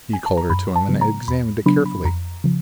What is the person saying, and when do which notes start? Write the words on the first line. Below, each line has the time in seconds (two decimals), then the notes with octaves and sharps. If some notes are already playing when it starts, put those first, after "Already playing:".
He called her to him and examined it carefully.
0.13 G#5
0.26 A5
0.37 A#5
0.50 F#2 B5
0.76 A5
0.88 C#3 F#3 B3
1.01 A#5
1.28 E2 B5
1.66 C#3 F#3 B3 D4 B5
1.86 B5
2.04 F2 A#5
2.44 C#3 F3